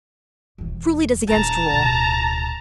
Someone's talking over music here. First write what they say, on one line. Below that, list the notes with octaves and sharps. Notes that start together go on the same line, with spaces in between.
Truly it is against rule.
E1 E3
D#1 E4 A5 A#5
D1 B2